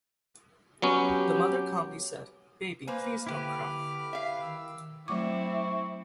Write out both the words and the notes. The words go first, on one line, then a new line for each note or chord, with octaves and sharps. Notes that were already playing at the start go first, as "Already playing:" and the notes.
The mother calmly said: "Baby please don't cry."
F#3 B3 C#4 G4
A#3 B4 C5 F5 G#5
D3 E4 G4 B4 D6 F6
E5 F5
D#3 E6
F#3 A3 C4 E4 C#6 D6